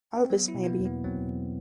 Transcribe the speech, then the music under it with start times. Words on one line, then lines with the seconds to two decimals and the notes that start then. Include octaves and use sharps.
Elvis maybe.
0.25 C4
0.30 F#3 B3
0.48 E4
0.55 B2
0.63 B3
0.67 A#3
0.80 E2
0.86 B3
1.04 F#3 C4
1.29 E2